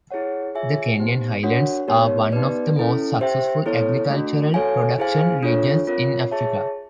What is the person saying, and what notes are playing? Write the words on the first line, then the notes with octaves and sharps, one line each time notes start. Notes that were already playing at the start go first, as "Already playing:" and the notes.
The Kenyan Highlands are one of the most successful agricultural production regions in Africa.
E4 G#4 C#5 F#5
F4 G#4 C#5 E5 G#5
B3 D#4 G4 C5
D4 F#4 A#4 C#5 F#5
B3 D#4 G4 A#4 C#5
B3 D#4 G4 B4 D5
C#4 E4 A4
G4 C5 E5 G5
B3 E4 A4 C#5
A3 D4 F#4
F#4 A4 C#5 F5 G#5
E4 G#4 C5 F5 G#5
D4 F4 A4 C#5
C4 F4 A#4 C#5
G#4 C#5 E5 A5